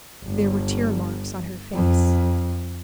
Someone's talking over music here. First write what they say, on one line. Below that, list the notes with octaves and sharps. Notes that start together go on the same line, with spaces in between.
There were tear-marks on her face.
G1
F2